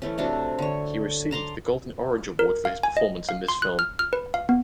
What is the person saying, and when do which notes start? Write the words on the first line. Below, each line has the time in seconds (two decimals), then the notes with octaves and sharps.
He received the Golden Orange award for his performance in this film.
0.02 E3 A3 C#4
0.18 C3 A3 D4 F#4
0.59 D3 C#5
1.31 A5 A#5 C6 D6
2.39 A#4
2.65 F5
2.83 G#5
2.97 D#5
3.29 F5
3.48 C6
3.62 F#6
3.79 F6
3.99 F6
4.13 B4
4.34 F5
4.49 B3